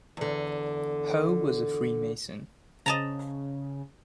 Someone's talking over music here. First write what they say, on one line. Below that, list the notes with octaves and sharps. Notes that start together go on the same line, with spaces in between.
Hoe was a Freemason.
E2 D3
C#3 D#5 A5 A#5